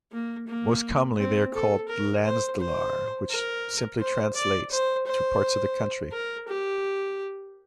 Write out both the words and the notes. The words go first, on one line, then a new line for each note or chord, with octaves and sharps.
Most commonly they are called "landsdelar", which simply translates to "parts of the country".
A#3
A#3
C4
A4
A#4
C5
C5
A#4
C5
D5
C5
C5
A#4
G4